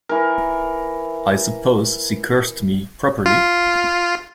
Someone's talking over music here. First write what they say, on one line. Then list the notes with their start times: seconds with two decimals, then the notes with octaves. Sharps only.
I suppose she cursed me properly?
0.09 E3 A#4
3.26 F4